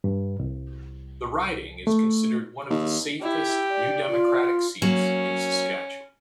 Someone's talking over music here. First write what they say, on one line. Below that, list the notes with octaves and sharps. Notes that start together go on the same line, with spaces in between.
The riding is considered one of the safest New Democratic seats in Saskatchewan.
G2
C2
A3
D#2
E4 G4
D5
F4
F#3 A#3 C#4